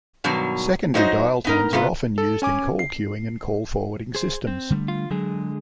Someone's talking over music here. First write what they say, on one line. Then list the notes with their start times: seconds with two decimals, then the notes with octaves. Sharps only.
Secondary dial tones are often used in call queuing and call forwarding systems.
0.24 G2 B2 D#3 F#3
0.94 F#3 D#4 C5 D#5
1.45 B3 D#4 A#4
1.73 C3 B3 F4
2.18 A4
2.42 C#4 G#5 D6
2.79 C7
4.15 G#4 C5
4.47 C4
4.70 D3 G3 A3
4.88 F4
5.11 D3 F#3 G#3 G#4